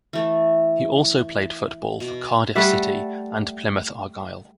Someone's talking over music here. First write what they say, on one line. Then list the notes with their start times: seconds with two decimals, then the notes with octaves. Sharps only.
He also played football for Cardiff City and Plymouth Argyle.
0.13 E3 A3
2.00 B2
2.55 G3 A3 E5 F#5